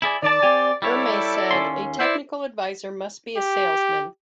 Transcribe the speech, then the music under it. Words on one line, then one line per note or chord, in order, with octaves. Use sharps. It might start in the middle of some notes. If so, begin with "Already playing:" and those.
Ermey said A technical advisor must be a salesman.
E4 G#4 D5
D#3 D5 A5
C4 G4 G#5
G3 E4 A4 C#5 D5
D#2 C#4 C6
E4 C5 D5
G4